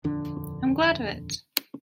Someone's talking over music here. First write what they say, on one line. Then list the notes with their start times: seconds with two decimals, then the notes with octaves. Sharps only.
I'm glad of it!
0.04 D#1 F2 D3 D4